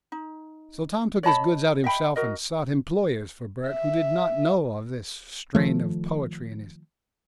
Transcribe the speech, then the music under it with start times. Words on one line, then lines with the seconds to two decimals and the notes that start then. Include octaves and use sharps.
So Tom took his goods out himself, and sought employers for Bert who did not know of this strain of poetry in his nature.
0.12 D#4
1.23 C#5 D#5 A5 B5
1.84 D#5 E5 G5 B5
2.16 F#4 A#4 D#5
3.68 E5
5.55 D#3 F3 A3